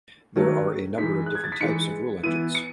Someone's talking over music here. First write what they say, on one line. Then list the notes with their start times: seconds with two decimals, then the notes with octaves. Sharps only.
There are a number of different types of rule engines.
0.36 D#3 F#3 A3
0.98 E3 G#3 D#4 B6
1.26 F#6
1.35 G#6
1.44 A6
1.52 B6
1.61 E3 G#3 D#4 C#7
2.23 E3 B3 E4 D#7
2.55 C#7